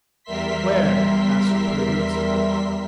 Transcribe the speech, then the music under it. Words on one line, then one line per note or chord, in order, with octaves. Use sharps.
"Where?" asked Prudence.
E2 G3 A#4 E5 C6 B6